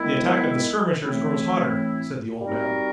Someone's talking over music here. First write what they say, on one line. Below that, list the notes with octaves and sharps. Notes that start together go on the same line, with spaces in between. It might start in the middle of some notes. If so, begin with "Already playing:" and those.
"The attack of the skirmishers grows hotter," said the old man.
Already playing: D#3 G#3 B3 E4
A2 E3 A3 C4 E4
G3 C4 D#4 F#4 A#4